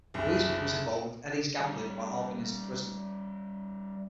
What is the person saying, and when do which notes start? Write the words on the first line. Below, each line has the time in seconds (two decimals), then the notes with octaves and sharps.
Louise becomes involved with Eddie's gambling while Alvin is in prison.
0.14 F#1 C2
1.59 G3 C#4